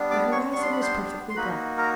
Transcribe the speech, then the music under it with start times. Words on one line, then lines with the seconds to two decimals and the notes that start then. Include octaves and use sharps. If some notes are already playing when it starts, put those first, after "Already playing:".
The horizon was perfectly black.
Already playing: G3 B3 D4
0.11 D5 D6
0.32 C#5 C#6
0.52 G3 B3 D4 C#6
0.62 C6
0.72 B5
0.81 C5 C6
1.29 C6
1.36 A#3 D#4 F#4 B4 B5
1.78 A#4 A#5